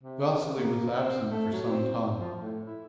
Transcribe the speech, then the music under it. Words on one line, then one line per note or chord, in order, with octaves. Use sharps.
Vasily was absent for some time.
C3
A#3
C4
A3
F#3
C4
G#2
F3
A2
E4